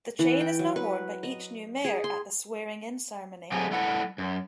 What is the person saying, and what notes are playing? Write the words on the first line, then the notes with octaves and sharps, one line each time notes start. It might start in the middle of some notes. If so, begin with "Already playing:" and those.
The chain is now worn by each new mayor at the swearing-in ceremony.
E3
G5
F#3
B4
D#5
G#4
C6
F#3 A3 C4 D#4 G4 G#4
G3 A3 E4 F#5
F#2